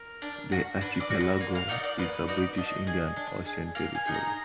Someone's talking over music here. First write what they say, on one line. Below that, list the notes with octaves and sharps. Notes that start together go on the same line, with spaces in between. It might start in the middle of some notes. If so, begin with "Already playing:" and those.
The archipelago is a British Indian Ocean Territory.
Already playing: A#4
D4
F#4
D4 B4
D5
F#4
B4
A#3
F5
D#4 F#4 D5
D5
A#3 B4
D#4 F#4 D5
D4 D#5
G#4
D4
G#4
A#3 F5
G#5
D#4 G#4
A#5